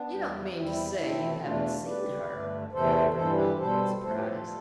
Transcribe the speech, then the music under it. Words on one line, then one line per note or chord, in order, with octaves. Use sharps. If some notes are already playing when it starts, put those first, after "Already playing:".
"You don't mean to say you haven't seen her," cried Brenda in surprise.
Already playing: B3 D4
E2 C3 G3
E2 C3 G3 C4 E4
B2 A3 C4 E4
E2 B2 A3 D4 F4
B2 G3 B4 D5
G2 D3 A3
E2 C3 E3 A3 A4 C5
G2 E3 G3 A4 C5
G4 B4
B2 G3 A4 C5
A2 F3 A3 A4 C5
G4 B4
F4 A4
G3